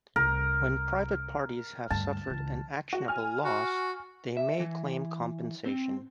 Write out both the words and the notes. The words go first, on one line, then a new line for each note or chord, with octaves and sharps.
When private parties have suffered an actionable loss, they may claim compensation.
C2 A#4
D2 G2 A5
C#2 E3
F#4
G#5 F6
F#4
E5
E3
C4